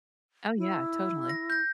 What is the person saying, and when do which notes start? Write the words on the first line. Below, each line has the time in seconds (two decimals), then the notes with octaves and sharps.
Oh, yeah, totally.
0.58 E4
1.29 A#6
1.50 G6 A#6